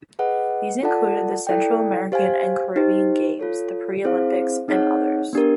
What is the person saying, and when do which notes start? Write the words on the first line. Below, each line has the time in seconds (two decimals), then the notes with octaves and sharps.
These included the Central American and Caribbean Games, the Pre-Olympics and others.
0.19 G#4 B4 D#5 F#5
0.83 F4 A4 D5 F#5 A5
1.47 E4 A4 D5 G5
2.12 G4 C5 F5 G#5
2.76 D#4 G4 C5
3.39 F4 A4 C#5
4.04 C4 E4 G#4 C5 F5
4.68 C4 D#4 G#4 C#5 F#5
5.33 B3 D4 G4 A#4